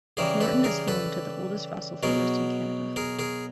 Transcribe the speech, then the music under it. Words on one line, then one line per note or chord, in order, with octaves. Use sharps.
Norton is home to the oldest fossil forest in Canada.
C#3 E3 G3 G#4 A#4
A4 B4
G#4 A#4
A4 B4
B2 F#3 G#4 A#4
G#4 A#4
G#4 A#4